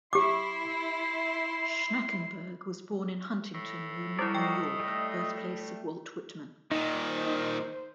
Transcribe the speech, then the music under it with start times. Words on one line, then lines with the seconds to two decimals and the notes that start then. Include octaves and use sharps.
Schnakenberg was born in Huntington, New York, birthplace of Walt Whitman.
0.13 E4 G4 C6 D6
3.54 A2
4.19 G3 E4 F#4 A#4 D5
4.34 D#5 G5
4.80 G3 A3
6.71 A#2 D#3 D#4
7.08 C5